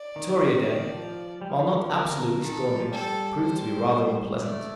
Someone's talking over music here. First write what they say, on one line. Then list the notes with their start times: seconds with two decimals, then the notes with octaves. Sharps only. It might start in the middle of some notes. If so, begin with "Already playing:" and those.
Victoria Day, while not absolutely stormy, proved to be rather unpleasant.
Already playing: D5
0.16 D#3
0.42 D#3
0.91 F3
1.42 G3
1.50 F3
1.59 D#3
1.69 F3
1.91 D3 A#4
2.42 D#3 A4
2.66 F3
2.92 G3 A4
3.42 C5
4.42 A3 D5